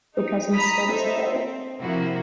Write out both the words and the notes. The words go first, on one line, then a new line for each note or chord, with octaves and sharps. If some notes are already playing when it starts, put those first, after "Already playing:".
The cousins told us about it.
D#4
A#5 B5 D#6 B6
D#4 A4 C5 E5
C4
C3 F3 A#3 E4 F#4